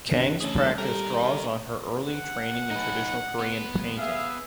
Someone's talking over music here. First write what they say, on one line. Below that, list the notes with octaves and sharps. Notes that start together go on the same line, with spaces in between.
Kang’s practice draws on her early training in traditional Korean painting.
G1 C3 D4
C#3 A3 C#4 G#4 A4
C#2 D#3 G3 A4
G3 D#4 G4 A4 A#4 F6
F#5
D#4 B4
B3
G#4 E5 F5